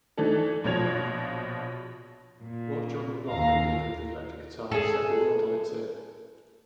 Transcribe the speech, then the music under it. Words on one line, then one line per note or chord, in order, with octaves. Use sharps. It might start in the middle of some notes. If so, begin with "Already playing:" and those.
What John McLaughlin did with the electric guitar set the world on its ear.
E3 A3 D4 D#4 A4
A#1 B2 F3 C#5 G#6 F7
A#2
D#2 F5 A#5
G#4 A4